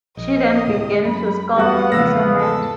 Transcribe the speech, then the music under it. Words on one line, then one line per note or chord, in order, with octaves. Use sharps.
She then began to sculpt in cement.
A#1 D#5
D2 A2 C3
F#2 B5
E2 G3 B3 F#4 F5 F#5 F#6
E2 G#2 C#3 F3 E6 A#6
A4